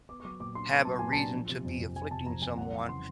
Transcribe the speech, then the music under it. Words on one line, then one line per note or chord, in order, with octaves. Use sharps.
have a reason to be afflicting someone,
B3 D6
C#6
F#3 D6
A#2 D6
D4 C6
B3 A#5
F#3 A5
A#2 G#5
A5
D4
F3
C3
F2
F2
F3 G#5
C3 A5
F2 A#5
F2 G#5
G3 F#5
E3
C#3 C6